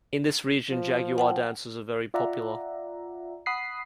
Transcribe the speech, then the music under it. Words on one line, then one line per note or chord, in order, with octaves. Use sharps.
In this region jaguar dances are very popular.
F3
F#5 G5 A5
F4 D5 E5 F#5 A#5
F#5 B5 D#6 F#6 B6 C7